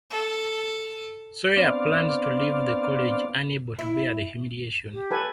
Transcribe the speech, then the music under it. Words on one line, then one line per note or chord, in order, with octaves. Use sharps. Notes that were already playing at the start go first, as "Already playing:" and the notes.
Soorya plans to leave the college unable to bear the humiliation.
A4
B3 C4 D4 D5 F5
E4
G4
A4 B4 G#5